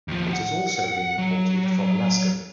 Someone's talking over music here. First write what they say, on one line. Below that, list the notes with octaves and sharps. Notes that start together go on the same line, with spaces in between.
It has also been reported from Alaska.
D#2 F3
F#5
F#3